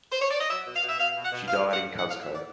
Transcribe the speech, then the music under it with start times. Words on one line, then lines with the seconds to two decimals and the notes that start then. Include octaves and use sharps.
She died in Cuzco.
0.12 C5
0.20 C#5
0.30 D5
0.40 D#5
0.49 F#3 E5
0.66 B2
0.75 F5
0.82 B2
0.89 E5
0.99 B2 F5
1.16 B2
1.24 F#5
1.31 B2
1.48 F#3 F5
1.64 A2 F5
1.72 F#5
1.81 A3
1.97 A2 F#5
2.10 F5
2.14 F#3
2.22 E5
2.29 A2 D5